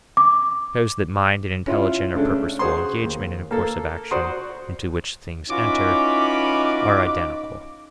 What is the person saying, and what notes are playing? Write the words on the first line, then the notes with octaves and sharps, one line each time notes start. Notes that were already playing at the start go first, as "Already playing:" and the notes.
It shows that mind and intelligent or purposeful engagement in a course of action into which things enter are identical.
D6
C#4 E4 F4
C#3 G#3 A3 C#4 D4
F#4 G#4 C5 C6
D#2
A#3 A4
F#4 C5 D5 C6 D#6
E3 C#4 D#4 F4 F#4 B5 D6